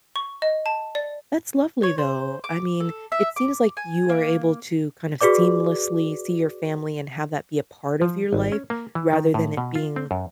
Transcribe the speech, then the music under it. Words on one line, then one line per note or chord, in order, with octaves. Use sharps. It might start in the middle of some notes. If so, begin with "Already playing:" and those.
That's lovely, though. I mean, it seems like you are able to kind of seamlessly see your family and have that be a part of your life, rather than it being
C#6
D#5
A5
D5
C#5
C5
D6
A4
E5
D6
G#5
A#3
F#4 G#4 B4 D5 D6
F3
G#1
C#4
A#3
E3
D#3
A2
B2
F4
C4
F#2